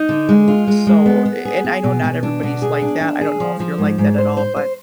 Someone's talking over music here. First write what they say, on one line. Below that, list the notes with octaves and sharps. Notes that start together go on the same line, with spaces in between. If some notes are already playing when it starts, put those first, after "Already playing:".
so, eh, and I know not everybody's like that, I don't know if you're like that at all, but,
Already playing: D#4
D3
G#3
F4
G#3
G#3
B3
B3
G#4
G#4
B2
B2
D4
B2
G#4
D4
D4
G#4
F3
F3
G#2
G#2
C5
C5
C5